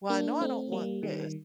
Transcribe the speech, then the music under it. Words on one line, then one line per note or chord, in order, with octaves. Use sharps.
"Well, I know I don't want this."
A#3 D4
A3 C4
G3 A#3
D#3 G3